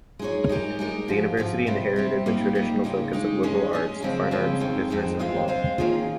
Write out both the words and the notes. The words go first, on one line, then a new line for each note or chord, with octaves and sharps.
The university inherited the traditional focus of liberal arts, fine arts, business and law.
G#3 D#4 G#4 C#5
G#3 D#4 G4 A#4
G#3 D#4 G4 A#4
G#2 F3 C4
G#2 F3 C4
C3 G3 C4
C3 G3 C4
G3 A#3 D#4
G3 A#3 D#4
C#3 G#3 D#4 G4
C#3 G#3 D#4 G4
G#3 C#4 G#4 D#5
G#3 C#4 G#4 D#5
C#3 F3 G#3 C4
C#3 F3 G#3 C4
F2 D#3 G#3 C4
F2 D#3 G#3 C4
G#3 C4 F4 C5 F5
G#3 C4 F4 C5 F5
D#3 A#3 C#4 F4 G#4